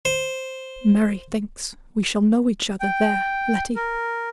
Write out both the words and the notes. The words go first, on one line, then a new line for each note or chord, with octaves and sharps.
"Mary thinks we shall know each other there, Letty."
C5
G5
A#4